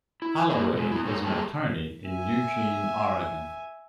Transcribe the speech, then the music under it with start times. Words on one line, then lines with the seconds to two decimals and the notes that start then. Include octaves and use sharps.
Holloway is an attorney in Eugene, Oregon.
0.22 E4
0.50 A#3 B3 E4 G#4
0.73 B2 G#3
0.92 B3 E4
1.05 G3 D#4 A#4 C#5
1.24 G3 A3 A#3 G4 G#4 A5
2.08 E5 G#5